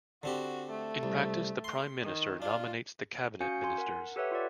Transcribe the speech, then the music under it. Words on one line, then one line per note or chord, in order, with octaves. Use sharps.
In practice the prime minister nominates the cabinet ministers.
D3 C4 F#4 G4
A3
C2
C6
D#3
D4 F4
C#4 F#4 F5 G#5 G6 C#7
G#5 C6
A#4 F#5
G4 A4 B4 C#5 E5 F#5
F4 G4 D5